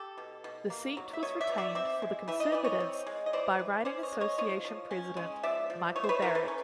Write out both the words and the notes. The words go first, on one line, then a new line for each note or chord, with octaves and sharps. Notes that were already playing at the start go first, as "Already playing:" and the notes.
The seat was retained for the Conservatives by riding association president Michael Barrett.
Already playing: G4 A4
B2
B2
A#3
F#3
E5
B2 C#5 D#5
D5 E5
B2
D5 E5
C4 D5 E5
G#3
E3 E5
D#5
E3 D5
C#5 D#5
C4
G#3
D#5
E3 C5 D5
E3
C#4 C5 D5
C#5 D#5
G#3
C#5 D#5
F3 C#5 D#5
F3
C#4
G#3
F3 D5 E5
F3
A3 C#5 D#5
C5
B4 C#5
E3 A#4 C5
A4 B4
C#4